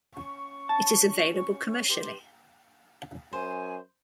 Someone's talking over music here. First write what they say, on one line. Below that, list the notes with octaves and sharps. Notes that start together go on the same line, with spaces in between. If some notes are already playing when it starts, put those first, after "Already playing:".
It is available commercially.
C#4 C#6
A5
G2 G4 C6
F#2 C5 G#5